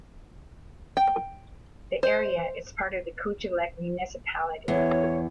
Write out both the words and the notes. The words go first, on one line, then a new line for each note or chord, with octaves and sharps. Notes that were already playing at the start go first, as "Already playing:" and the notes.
The area is part of the Kujalleq municipality.
G5
C5
E2 C#5